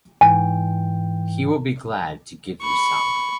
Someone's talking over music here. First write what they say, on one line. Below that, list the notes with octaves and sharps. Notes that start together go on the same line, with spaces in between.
He will be glad to give you some.
G#2 E3 G5 G#5
B5 C#6